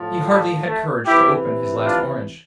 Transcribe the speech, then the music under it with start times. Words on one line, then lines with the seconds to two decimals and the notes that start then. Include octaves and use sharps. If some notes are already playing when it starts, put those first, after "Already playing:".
He hardly had courage to open his last orange.
Already playing: A2 F3
0.27 G3
0.66 A3
1.06 C3 E3 E4 G4
1.84 D4 F4